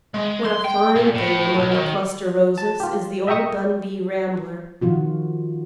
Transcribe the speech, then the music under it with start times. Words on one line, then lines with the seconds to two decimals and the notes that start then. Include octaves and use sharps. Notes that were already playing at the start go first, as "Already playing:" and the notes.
What a fine thing, among the cluster Roses, is the old Dundee Rambler!
0.14 G#3
0.45 C6
0.64 G5
0.96 A#2
1.15 A2
1.58 B1
1.73 D#3
2.58 A5
2.80 F4 G4
3.27 D#5 E5 G5 A#5 C#6 D#6
4.81 D#3 F3 F4 F#4